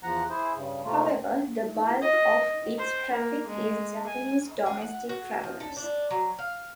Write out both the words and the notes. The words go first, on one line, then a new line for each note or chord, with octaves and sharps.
However, the bulk of its traffic is Japanese domestic travelers.
E2 F3 F#5 A#5
E4 G#4 C5
G2 C#3
C3 A3 A#3 F4
D#5
C5
A#3
G#3
G#5
G#4
F#5
F#4
F3
A4
D4
F#3
F5